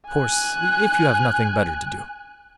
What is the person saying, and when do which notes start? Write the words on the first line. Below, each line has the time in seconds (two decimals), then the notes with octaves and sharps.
Of course, if you have nothing better to do.'
0.10 G#5 F#6